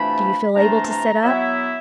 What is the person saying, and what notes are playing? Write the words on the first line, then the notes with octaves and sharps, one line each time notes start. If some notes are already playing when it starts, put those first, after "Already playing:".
Do you feel able to sit up?'
Already playing: C3 E3 A3 D4 F4 B5
C3 E3 A3 D4 F4 A#5
A#5
F#3 B3 E4 E5